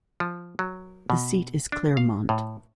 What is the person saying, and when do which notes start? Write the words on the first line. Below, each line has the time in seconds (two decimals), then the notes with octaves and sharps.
The seat is Clermont.
0.20 F3
0.59 F#3
1.10 B2
1.72 D4
1.97 F5
2.29 A2